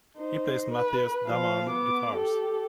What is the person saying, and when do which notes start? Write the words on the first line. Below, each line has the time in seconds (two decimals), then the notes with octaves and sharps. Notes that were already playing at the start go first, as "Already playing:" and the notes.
He plays Matthias Dammann guitars.
0.16 D#4 C5
0.71 B4
1.26 F3 F5
1.69 B3 D6
2.15 G4 A4